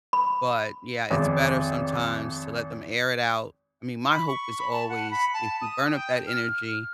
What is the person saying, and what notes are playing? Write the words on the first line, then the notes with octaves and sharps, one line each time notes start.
but yeah, it's better sometimes to let them air it out. I mean, my hope is always if you burn up that energy,
B5
G#1 F2 C4 D6
B5
C#6
B5
A5
F#5
B5
A5
D#6
G5
F6